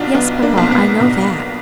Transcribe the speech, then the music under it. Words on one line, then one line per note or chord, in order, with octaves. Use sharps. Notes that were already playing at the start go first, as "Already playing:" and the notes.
"Yes, papa, I know that."
Already playing: B1 D4 D#4 F4 F#4
B1 B3
A#3 D4
B1
B3
B2